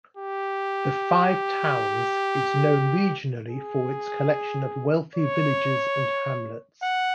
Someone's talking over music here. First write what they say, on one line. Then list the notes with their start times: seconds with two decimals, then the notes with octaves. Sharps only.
The Five Towns is known regionally for its collection of wealthy villages and hamlets.
0.17 G4
3.49 G#4
5.15 C#5
6.82 F#5